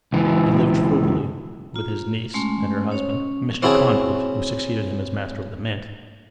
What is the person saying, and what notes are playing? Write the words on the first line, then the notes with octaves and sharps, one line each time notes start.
He lived frugally with his niece and her husband, Mr. Conduit, who succeeded him as Master of the Mint.
C#2 E3
F4 A#5
G#3 A3 C#4 C6
C#4 C#5
C#4
C4 C#4 E4 F#4 G#4 A5